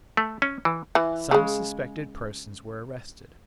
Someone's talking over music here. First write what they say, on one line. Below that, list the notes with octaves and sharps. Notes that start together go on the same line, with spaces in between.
Some suspected persons were arrested.
A3
C#4
E3
E3
C#3 G#3